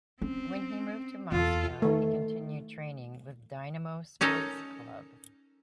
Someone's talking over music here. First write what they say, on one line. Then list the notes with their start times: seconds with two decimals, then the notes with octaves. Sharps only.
When he moved to Moscow, he continued training with Dynamo Sports Club.
0.22 C4 C#4
1.32 E2 F4 A4
1.82 D#3 A3
4.21 C#4 D#4 A4 A#4